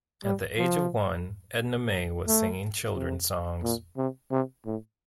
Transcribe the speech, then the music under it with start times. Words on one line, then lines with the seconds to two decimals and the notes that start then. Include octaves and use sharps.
At the age of one, Edna Mae was singing children's songs.
0.24 G3
0.58 F3
2.27 A3
2.95 C3
3.63 A#2
3.97 C3
4.31 C3
4.66 A2